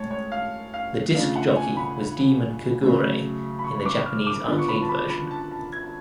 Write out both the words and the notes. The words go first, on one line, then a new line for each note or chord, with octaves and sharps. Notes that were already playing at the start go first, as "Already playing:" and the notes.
The Disk Jockey was Demon Kogure in the Japanese arcade version.
Already playing: A2 G#3 C#5 A5
C#5
F5
F5
C#3 F3 A3 D4 F5
F#5
G#5
B5
C#3 F#3 A3
B5
C#6
C#6
D6
F6
D6
D3 F3 B3 D4
C#6
B5
A5
B5
B5
A5
A5
G#6